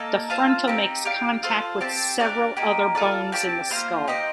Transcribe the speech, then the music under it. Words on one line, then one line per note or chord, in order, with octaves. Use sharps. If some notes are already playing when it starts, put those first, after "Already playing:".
The frontal makes contact with several other bones in the skull.
Already playing: A#3 D#4 A4
F4 C5 F5 A5
C4 D#4 G4
G4 D5 F5
F4 A4 C5
C4 G4 D5 A5
D4 G4 A#4 D5
A#3 D#4 G4
F4 A4 D5
C4 G4 D5 A5
A#3 F4 C5 F5
D#4 G4 C5 D#5